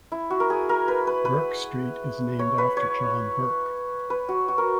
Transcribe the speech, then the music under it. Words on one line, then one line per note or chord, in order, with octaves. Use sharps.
Bourke Street is named after John Bourke.
E4
F#4
A#4
G#4
A#4
B4
B4
B4
C#5
B4
C#5
B4
F#4
F#4
A#4